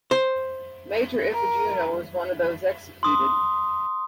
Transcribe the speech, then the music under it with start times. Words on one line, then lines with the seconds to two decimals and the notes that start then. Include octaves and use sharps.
Major Ifejuna was one of those executed.
0.11 C5
1.33 A#4
3.03 C6 D#6